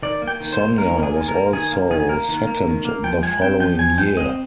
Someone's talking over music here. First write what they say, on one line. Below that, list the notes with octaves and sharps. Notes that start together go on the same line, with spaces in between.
Sonia was also second the following year.
D#3 D5
A#3
G5
D#3
C5
A#3
D#3 A#4
A#3
G#4
D#3
A#4
A#3
D#3 G#4
A#3
D#3 G#4
A#3 A#4
D#3
A#3
D#3
A#3
F3 G5
G#3 G#5
C4 G5
F3 G5
F3 G#5
G#3 G5
C4 D#5